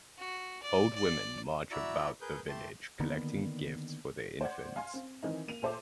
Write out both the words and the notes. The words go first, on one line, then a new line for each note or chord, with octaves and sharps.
Old women march about the village collecting gifts for the infants.
F#4
D5
D5
E4 F#4 D5 E5 A#5 E6
G#4 A#4 B4 G6
A3 G4 A5 C6
D3 D#3 A#3 B3
C5 D5 F#5 G#6
F5 G#5 C6
C4
D#3 E3 C4 D#4
A#3 D#7 F7
A#1 A4 C5 E5 D6